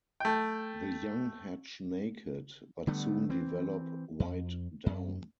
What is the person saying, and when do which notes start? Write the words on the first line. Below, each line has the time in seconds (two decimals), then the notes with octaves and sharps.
The young hatch naked, but soon develop white down.
0.20 A3 G5
2.87 D3 G3 A3 B3
3.29 E3 C4
4.20 F2
4.86 F#2